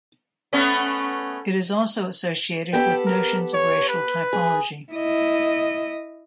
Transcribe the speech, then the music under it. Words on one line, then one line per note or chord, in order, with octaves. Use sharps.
It is also associated with notions of racial typology.
A3 B3 C#4
B3 G4 A4 G5
A#4
C#5
B4
G#4
E4 D#5